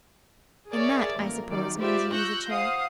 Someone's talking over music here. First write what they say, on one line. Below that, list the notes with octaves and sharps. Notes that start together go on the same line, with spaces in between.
"And that, I suppose, means an easy-chair?"
G#4 A#4 C#5 D5 E5
A1 A#3 A#4
F#2 D#3 D5
F4 G4 B4 C5 D5 E5
C#6 E6 F#6 G6 A#6
C5 F5 F#5 D#6